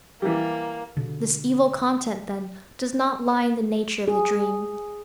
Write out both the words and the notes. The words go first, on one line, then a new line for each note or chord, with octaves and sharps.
This evil content, then, does not lie in the nature of the dream.
E3 G3 A#3
B2 D3
G#4